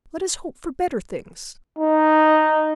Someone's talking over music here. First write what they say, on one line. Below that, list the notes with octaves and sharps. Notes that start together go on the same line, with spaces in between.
Let us hope for better things.
D#4